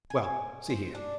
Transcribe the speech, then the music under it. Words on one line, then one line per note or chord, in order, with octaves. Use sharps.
Well, see here.
G#5
C5
D4